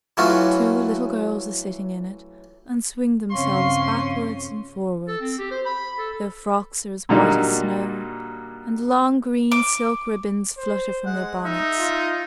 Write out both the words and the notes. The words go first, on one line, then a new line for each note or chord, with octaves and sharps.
Two little girls are sitting in it, and swing themselves backwards and forwards; their frocks are as white as snow, and long green silk ribands flutter from their bonnets.
E3 F#3 A3 C#4 F4 F#4
G2 C#3 F3 C4 C#4 F5 C6 C#6
A4
C4
G4
C5
B5
A4
A#2 D3 F#3 G3 A#3 D#4
D6
C5
G#3 F#5
D#4 E5
F4